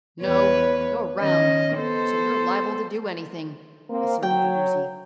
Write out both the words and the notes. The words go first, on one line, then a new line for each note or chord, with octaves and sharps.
"No; you're round, so you're liable to do anything," asserted the Woozy.
E2 B4 C#5
D#3 C#4 D#5
B3 A4 C5
A#3 C4
F#3 G5